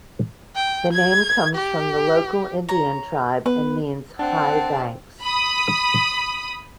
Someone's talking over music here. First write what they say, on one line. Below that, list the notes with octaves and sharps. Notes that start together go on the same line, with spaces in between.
The name comes from the local Indian tribe and means high banks.
G5
G#6
G4
C#5 A#5
B3 B4
C4 D4 F#5 A5
B5 D#6